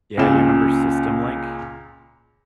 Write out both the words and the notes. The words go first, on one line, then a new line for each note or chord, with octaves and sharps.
Yeah, you remember SystemLink?
C#2 A#2 E7